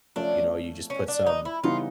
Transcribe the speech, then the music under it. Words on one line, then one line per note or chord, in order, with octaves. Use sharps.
you know, you just put some
F3 A3 C#4 D4
C#4
D4
D#4
E4
C#3 E3 G3 B3 D#4 F4